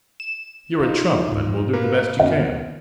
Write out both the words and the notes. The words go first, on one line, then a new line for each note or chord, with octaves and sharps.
You're a trump; and will do the best you can.
E7
D4 D#4 F4
G#2
A#3 A#4 B4
F#2 D#3 B3